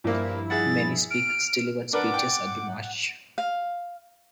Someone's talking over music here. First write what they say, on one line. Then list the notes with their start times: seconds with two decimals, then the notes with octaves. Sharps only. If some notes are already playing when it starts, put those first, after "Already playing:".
Many speakers delivered speeches at the March.
0.04 G2 A#2 F3 A#3 E4
0.50 G#4 E5 F#5 A6
1.10 F6 D7
1.93 D4 A#4 B4 F#5 D6
2.14 D5 G5
3.38 F5